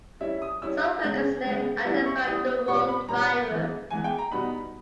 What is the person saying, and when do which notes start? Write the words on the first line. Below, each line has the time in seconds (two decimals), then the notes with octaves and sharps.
Some records may identify the wrong driver.
0.21 G3 C#4 E4 E5
0.42 D#6
0.62 G3 C#4 E4 E6
1.03 C#3 G#3 B3 G6
1.44 C#3 G#3 B3
1.85 G3 B3 E4
2.06 C#6
2.27 G3 B3 E4 D#6
2.68 A#2 G3 C#4 C#6
2.88 B5
3.09 A#2 G3 C#4 A#5
3.50 E3 G#3 B3
3.90 E3 G#3 B3 G#5
4.04 G5
4.19 A#5
4.32 B2 G3 B3 D#4 B5